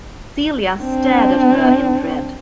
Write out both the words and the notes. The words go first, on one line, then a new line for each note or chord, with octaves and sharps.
Celia stared at her in dread.
C4 D4